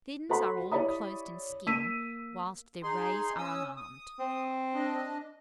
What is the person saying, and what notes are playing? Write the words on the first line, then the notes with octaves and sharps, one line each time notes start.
The fins are all inclosed in skin, whilst their rays are unarmed.
F#4 A4 C5 F#5 B5 C6
E4 G4 C#5 D5 B5 D#6
A#3 E6 B6 D#7
D#4 G#4 C6
C#4 D#6 E6
D#6
C4
D4 D#5